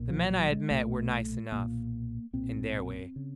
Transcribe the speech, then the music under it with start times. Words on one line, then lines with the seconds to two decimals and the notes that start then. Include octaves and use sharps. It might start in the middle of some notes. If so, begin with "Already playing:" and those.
The men I had met were nice enough--in their way.
Already playing: B1 A#2
0.10 F3
0.30 F#3
0.52 G#3
0.71 B1 A#2 A3
1.52 B1 A#2 A#3
2.33 B1 A#2 C4
3.16 C#3